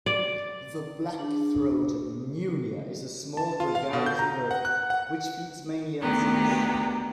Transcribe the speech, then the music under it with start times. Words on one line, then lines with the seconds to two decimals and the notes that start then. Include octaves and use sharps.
The black-throated munia is a small gregarious bird which feeds mainly on seeds.
0.06 D5
1.19 D4 G#4
3.37 A5
3.60 F4
3.75 F5
3.93 B2
4.06 G6
4.19 A#5
4.51 F#5
4.65 F#6
4.90 F#5
6.00 D2 D#3 B3 G4 A#5